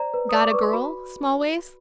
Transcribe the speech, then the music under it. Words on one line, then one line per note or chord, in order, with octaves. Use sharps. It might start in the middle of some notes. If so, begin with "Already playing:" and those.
"Got a girl, Smallways?"
Already playing: C5 D5 A#5
B4
D5 D#6
D6
B4 C#6
C6
F#4 B5